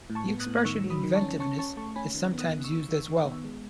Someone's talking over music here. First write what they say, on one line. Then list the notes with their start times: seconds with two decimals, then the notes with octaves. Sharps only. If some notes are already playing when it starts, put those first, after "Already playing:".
The expression "inventiveness" is sometimes used as well.
0.10 A2
0.15 A5 C#6
0.28 B3
0.40 D#6 F#6
0.47 A2
0.58 F#6
0.65 D#3 C#6 E6
0.84 F#3
0.90 B5 D#6
1.03 D#3
1.15 A5 C#6
1.21 C#4
1.40 C#4 A5 C#6
1.59 C#4 A5 C#6
1.77 A3 A5 C#6
1.96 C#4 G#5 B5
2.14 D#3
2.34 B3
2.39 D#6 F#6
2.52 D#3
2.64 C#6 E6
2.70 D#3
2.89 D#3
3.08 D#3
3.26 B3
3.44 G#3